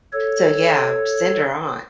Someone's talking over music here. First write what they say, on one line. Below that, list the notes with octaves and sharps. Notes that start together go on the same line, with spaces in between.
So, yeah, send her on."
A4 C#5